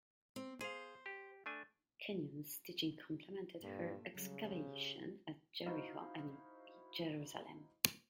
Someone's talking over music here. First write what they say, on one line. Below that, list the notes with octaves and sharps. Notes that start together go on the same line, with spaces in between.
Kenyon's teaching complemented her excavations at Jericho and Jerusalem.
C4
G#4 C5 F5
G4
A3 D4 G#5
G2 A#2 A3 A#3
C#3 F#3 G3
G4 C5
D#4 E4 F#4 C5 D#5 F5